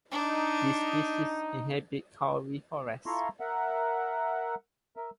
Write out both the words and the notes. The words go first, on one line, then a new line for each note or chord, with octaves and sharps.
This species inhabits kauri forests.
D4 D#4
E4 F4 A4 A#5 C6 C#6
A#4 E5 F#5
A#4 E5